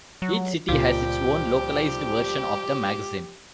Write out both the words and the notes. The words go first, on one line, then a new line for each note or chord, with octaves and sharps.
Each city has its own localised version of the magazine.
F#3
C#2 A#2 F3 G3 F4 G4 G5